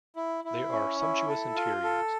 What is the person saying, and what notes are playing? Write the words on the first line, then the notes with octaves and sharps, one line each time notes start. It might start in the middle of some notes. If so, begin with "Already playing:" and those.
There are sumptuous interiors.
E4
E4
C#4
E4
A4
F4
A4